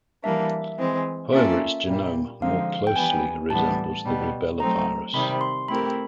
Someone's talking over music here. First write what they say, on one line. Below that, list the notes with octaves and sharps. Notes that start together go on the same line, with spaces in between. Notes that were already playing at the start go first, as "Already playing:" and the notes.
However, its genome more closely resembles the rubella virus.
E3 G3 A#3 D4 E5
E3 G#3 C4
A#3 C#4 F4 A4 D5 E5
A#2 G3 A#3
D3 F3 G#3 C4 D#4 F5
G5
E3 G3 B3 G#5
A2 E3 G3 B3 D4 A5
B2 G3 B3
F#3 A3 C4 D#4 A#5
C3 D#3 G3 C4 B5
C6
A3 C4 E4 G4 A#4 B5